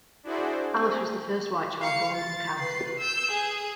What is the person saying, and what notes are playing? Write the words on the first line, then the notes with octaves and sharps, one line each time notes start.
Alice was the first white child born in the county.
D4 E4 F#4 G#4 C5 D5
C4 G#4
F5 C#7
A6
B4 C7
E6 G6
G#4